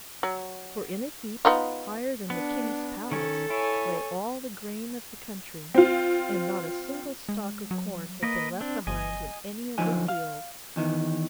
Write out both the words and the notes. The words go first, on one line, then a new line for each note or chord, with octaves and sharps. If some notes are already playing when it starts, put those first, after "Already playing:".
For in a heap higher than the King's palace lay all the grain of the country, and not a single stalk of corn had been left behind in any of the fields.
F#3
B3 D#4 F4
B3 D4
D#3 C#4 A4
E4 C#5 G#5
C4 F4
G#3
F#3
A#3 A#4 B4 D#5
C4 D4
G1 D#5 G#5
D3 F3 F#3 D#4 G#5
F5
E2 D#3 E3